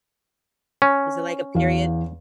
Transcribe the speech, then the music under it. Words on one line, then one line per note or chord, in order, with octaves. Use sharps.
Was it like a period
C#4
E2 F5